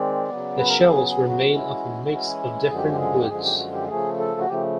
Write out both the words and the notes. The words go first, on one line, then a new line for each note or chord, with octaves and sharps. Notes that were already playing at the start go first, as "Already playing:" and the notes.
The shells were made of a mix of different woods.
Already playing: D#3 G#3 C4 D5
C#3 F#3 B3
B4
A#4
A4
C#3 F#3 B3 G#4
G#4
F#4
E3 G#3 C#4 E4
E3 G#3 C#4 E4
F#2 D3 F3 G#3 G#4
G4
F#4
G4
G#4
G4
F#2 D3 F3 G#3 G#4
G4
F#4
G4
C#3 F3 A3 G#4
A4
F#4
C#3 F3 A3 G4